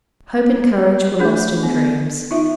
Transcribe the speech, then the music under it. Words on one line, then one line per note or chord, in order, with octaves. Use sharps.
Hope and courage were lost in dreams.
A3 D4 G#4
B3
D#4 F4 E5